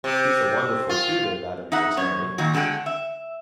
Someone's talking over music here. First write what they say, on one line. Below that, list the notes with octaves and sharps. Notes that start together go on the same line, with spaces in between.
"He's a wonderful tutor, that of yours, Harry!"
C3
F4
D#4 E5 F#5
F#2 C#5
A#2 D#3 F#4
E2 D3 G#3 F#5 G5
E5